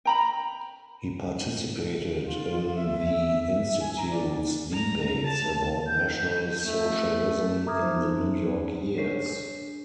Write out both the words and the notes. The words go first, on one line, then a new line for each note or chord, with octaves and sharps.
He participated in the Institute's debates about national socialism in the New York years.
G5 A#5 B5
F4
E5
E5
G#5
A#5
D5
A#5
A5
G6
A3
E5 A#5 D6 D#6 F6 G#6
C4 D#4 C5
D4 G#4 C#5 B6 C7